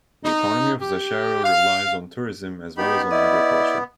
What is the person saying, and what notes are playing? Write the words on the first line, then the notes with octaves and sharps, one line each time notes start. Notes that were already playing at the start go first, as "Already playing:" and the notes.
The economy of Zacharo relies on tourism as well as on agriculture.
D#4
G4
F5
B3 D#4 G4 B5
E4 D5 D#5